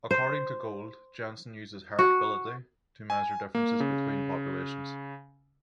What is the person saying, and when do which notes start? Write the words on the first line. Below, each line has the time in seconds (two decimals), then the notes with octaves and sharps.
According to Gould, Jensen uses heritability to measure differences "between" populations.
0.11 C5
1.99 F#4
3.10 G#5
3.55 A#3
3.80 C#3